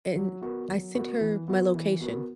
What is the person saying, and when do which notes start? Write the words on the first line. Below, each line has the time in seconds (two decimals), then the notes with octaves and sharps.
And I sent her my location
0.16 F#3
0.41 B3 F#4 A#4
0.68 F#3
0.95 B3 F#4 A#4
1.21 E3
1.48 B3 F#4 A#4
1.74 E3
2.01 B3 F#4 A#4